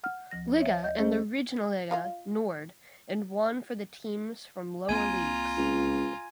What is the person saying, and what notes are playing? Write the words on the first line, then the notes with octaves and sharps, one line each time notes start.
Liga and the Regionalliga Nord and one for the teams from lower leagues.
F#5 F6
D2 F3 A#6
C#5 E5 F5
D2 D#5 G6
G#3 C#4 G#4 C5 D#5
F4 D#5 F5
C2 A#3 C4 F4 G#5 A#5 G#6 D#7
C#2